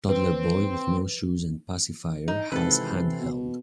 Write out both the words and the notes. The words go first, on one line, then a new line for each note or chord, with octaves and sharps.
Toddler boy with no shoes and pacifier has handheld.
C4 B4
D#4
G#1 C3 E3 C4 A4 B4
B2